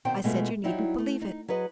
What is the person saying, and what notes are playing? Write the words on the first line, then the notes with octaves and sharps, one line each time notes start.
I said, you need n't believe it.
B2 D#3 C4 C5 G5
B2 G#3 A3 F4
F#3 G3 D#4 E4
A3
D#4
F#3 G#4 B4 D#5